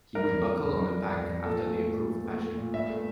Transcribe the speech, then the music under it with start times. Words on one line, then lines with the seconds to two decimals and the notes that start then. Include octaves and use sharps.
He would buckle on a pack after the approved fashion.
0.15 G3 A#4
0.32 F2
0.47 G3
0.65 F2
0.80 G3
0.96 G3
1.12 F2
1.29 F2
1.45 A#2 A4
1.60 A3
1.78 A3
1.93 A#2
2.09 A3
2.26 A3
2.41 A3
2.57 A#2
2.73 G2 E5
2.90 A3